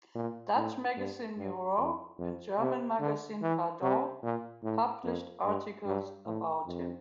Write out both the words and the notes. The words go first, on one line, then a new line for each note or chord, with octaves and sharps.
Dutch magazine "Miroir" and German magazine "Pardon" published articles about him.
A#2
A2
G2
G2
F2
F2
C3
D3
E3
C3
A#2
A2
F2
G2
G2
A2
F2